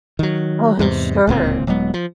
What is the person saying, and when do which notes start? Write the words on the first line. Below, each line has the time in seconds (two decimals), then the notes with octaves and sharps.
Oh, I'm sure.
0.19 D#3 F#3
0.79 E2 G#2 C3
1.27 D1 C#2 A#2 C4
1.67 D#1 F#3 G#3 B3
1.94 F3